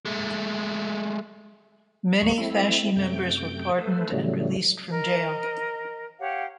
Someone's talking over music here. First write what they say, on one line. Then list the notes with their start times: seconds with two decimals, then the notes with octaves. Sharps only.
Many Fasci members were pardoned and released from jail.
0.05 G#3 A3
2.22 D2 G#2 G#3 B3 C#6
2.38 A3 C4 E4
2.96 F#2 C3 A3 G5 G6
3.78 A3 A4 B4 C5
4.12 A2 C#3 F#3 G3 A3
4.90 A#4 D#5
6.19 G4 C#5 F5 F#5